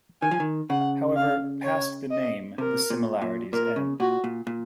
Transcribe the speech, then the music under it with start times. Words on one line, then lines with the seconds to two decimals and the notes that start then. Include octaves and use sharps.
However, past the name, the similarities end.
0.22 D#3 G#5
0.31 F3
0.40 D#3
0.70 C#3 F#5
1.16 F5
1.64 C#5
2.11 D#5
2.58 C3 A#4
2.90 A#2
3.22 A#2
3.53 A#2 A#4
3.76 C#3
4.00 A#2 F#4
4.24 A#2
4.47 A#2